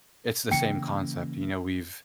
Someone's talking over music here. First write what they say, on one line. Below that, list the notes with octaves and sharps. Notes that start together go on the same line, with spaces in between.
it's the same concept, you know, we've
C#3 E3 A#3 G5 C#7